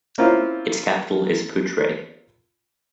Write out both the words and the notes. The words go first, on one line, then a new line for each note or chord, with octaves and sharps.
Its capital is Putre.
A#3 C4 C#4 E4 F4